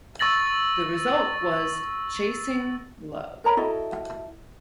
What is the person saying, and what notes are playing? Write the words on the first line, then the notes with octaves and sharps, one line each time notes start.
The result was "Chasing Love".
C#6 E6 A6 A#6 F#7
A#4 C#5 A#5 B5
E4 F#4 A4 D#5